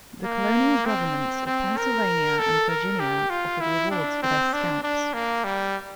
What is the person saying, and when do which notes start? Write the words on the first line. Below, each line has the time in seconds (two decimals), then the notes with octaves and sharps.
The colonial governments of Pennsylvania and Virginia offered rewards for their scalps.
0.24 A#3
0.86 C4
1.47 C4
1.77 A#4
2.39 A4
2.69 A#4
3.00 G4
3.30 F4
3.60 E4
3.91 D4
4.23 C4
4.53 D4
4.83 D4
5.14 A#3
5.44 G3